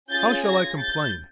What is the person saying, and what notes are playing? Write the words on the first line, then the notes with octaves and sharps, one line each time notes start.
How shall I complain?
C#4 F4 G#4 G6 A6
G#6 A#6
G6 A6